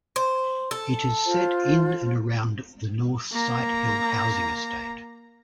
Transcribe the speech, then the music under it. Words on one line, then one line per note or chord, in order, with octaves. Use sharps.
It is set in and around the North Sighthill housing estate.
C5
A4
F4 C5
A#3 A#5